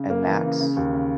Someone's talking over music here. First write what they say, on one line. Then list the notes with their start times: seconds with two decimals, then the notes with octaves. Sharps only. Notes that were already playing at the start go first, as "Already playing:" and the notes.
And that's
Already playing: C#3
0.10 A#3
0.27 E3
0.44 C#3
0.61 C#3
0.76 D#2
0.94 C#3